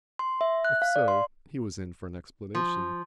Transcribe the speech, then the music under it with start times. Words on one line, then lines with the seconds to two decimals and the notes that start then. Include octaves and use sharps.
If so, he was in for an explanation.
0.19 C6
0.41 E5
0.65 F#6
0.82 F5
0.96 D5
1.08 C6
2.55 F3